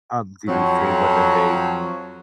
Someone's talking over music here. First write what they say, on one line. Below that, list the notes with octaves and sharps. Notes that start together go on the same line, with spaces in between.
Um, did he say whether they
F2 F#3